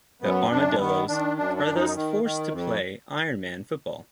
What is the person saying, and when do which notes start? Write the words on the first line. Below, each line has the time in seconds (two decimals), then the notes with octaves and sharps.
The Armadillos are thus forced to play ironman football.
0.22 F#2 B3
0.50 F#2 D4
0.79 D#3 B3
1.08 D#3 D4
1.37 F#2 D4
1.57 D4
1.66 F#2
1.75 D#4
1.95 D#3
2.23 D#3
2.52 F2